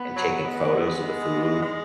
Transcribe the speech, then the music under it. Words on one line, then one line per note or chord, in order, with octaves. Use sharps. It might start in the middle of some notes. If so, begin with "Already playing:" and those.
and taking photos of the food,
Already playing: B3
F#3
F#3
G#3
G#3